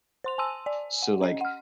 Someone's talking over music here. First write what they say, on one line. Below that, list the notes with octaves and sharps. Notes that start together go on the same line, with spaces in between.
So, like,
C5 C6 F7
G#5 A5 C6 E6 D#7
D5 G#5
F#5
C#4 D#5
F#5 F6